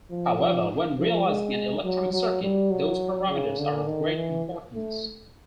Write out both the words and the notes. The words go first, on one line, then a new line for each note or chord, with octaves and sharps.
However, when realizing an electronic circuit, those parameters are of great importance.
F3
F3
F3
G#3
F#3
F#3
G3
F#3
C#3
D3
D#3
E3
A3